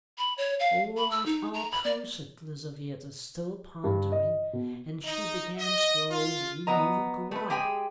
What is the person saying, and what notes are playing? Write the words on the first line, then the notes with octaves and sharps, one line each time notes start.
"All right, I'll come," said Lizaveta, still pondering, and she began slowly moving away.
B5
C#5
F5
B5
E6
D#4
A#5
B5
D5
G2
D#5
B2
D#4
D#5
F4
F#3 B3 D#5 A#5
A3 B4
G#3 G4 G#4 G5 G#5